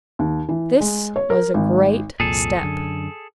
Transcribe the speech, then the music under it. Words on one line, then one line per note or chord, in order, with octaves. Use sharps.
This was a great step.
D#2
E3
G#3
C#5
A#4
G#1
C2 F2 A#2 G#4 A4
F#2 D3